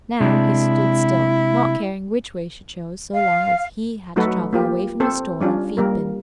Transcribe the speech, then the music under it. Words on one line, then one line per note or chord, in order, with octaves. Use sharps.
Now he stood still, not caring which way she chose so long as he had to travel away from his stall and feed-bin.
C3 G#3 D4 E4
F5
F#3 A3 D#4 F#4 A4 B4
A#3 F4 G4
C4 A4 C5
G3 C#4 D4 F4
G3 A#3 A#4